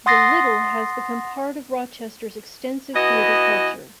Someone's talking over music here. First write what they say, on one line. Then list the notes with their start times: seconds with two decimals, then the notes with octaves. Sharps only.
The Little has become part of Rochester's extensive theater culture.
0.06 F#5 C6 D#6 A6 A#6 C7
2.94 E3 B3 F#4 D#5